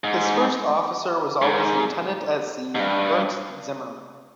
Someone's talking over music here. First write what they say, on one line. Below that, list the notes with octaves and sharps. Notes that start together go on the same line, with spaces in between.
His first officer was always Lieutenant at Sea Ernst Zimmermann.
G#2
G#2
G#2
G2